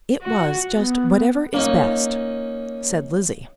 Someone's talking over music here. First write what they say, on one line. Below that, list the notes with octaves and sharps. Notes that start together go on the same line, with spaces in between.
"It was just whatever is best," said Lizzie.
F#4
B3
A#3 C#4 D#4